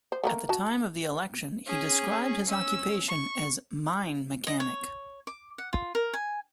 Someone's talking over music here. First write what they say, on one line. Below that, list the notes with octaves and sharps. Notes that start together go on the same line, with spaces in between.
At the time of the election, he described his occupation as "mine mechanic".
C5
A3 A#3 A#4
F#4 A5
C#4 G#4
C#4 E6
C#6
D#5
C#5
D6
F#5
F4
A#4
G#5